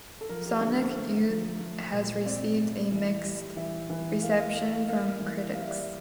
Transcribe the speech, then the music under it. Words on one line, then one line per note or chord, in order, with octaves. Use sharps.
"Sonic Youth" has received a mixed reception from critics.
A4
F3 A#4
G4
D3 A4
C5
A3
F3
A3
A#2
C4 D5
A3
E3
G3
E3 E5
E3
A#3 F5
F5
A#3 F5
F5
A#3 F5
E3
G3 F5
E5
D5
E5